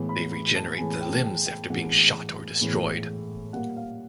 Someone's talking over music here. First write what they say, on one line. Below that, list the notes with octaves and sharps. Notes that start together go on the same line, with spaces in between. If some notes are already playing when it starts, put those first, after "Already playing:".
They regenerate their limbs after being shot or destroyed.
Already playing: A2 E3 G#3 B3
B5
B5
A5
A2 E3 G#3 B3 G#5
G5
G5
G5
A2 E3 G#3 B3 F#5
A2 E3 G#3 B3
A#2 G3 A#3 F#5
F5